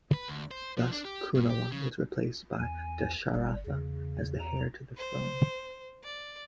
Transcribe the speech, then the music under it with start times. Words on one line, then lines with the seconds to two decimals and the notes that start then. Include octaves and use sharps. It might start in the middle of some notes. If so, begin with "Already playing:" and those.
Thus, Kunala was replaced by Dasharatha as the heir to the throne.
0.14 B4
0.28 D2
0.51 C5
0.77 F3
0.92 D4
1.05 G4
1.35 G2
1.50 G4
1.72 C#3
2.59 E2 G#5
3.35 G1 G3
3.67 E2 C#3
4.39 A#5
4.97 C5
6.03 D5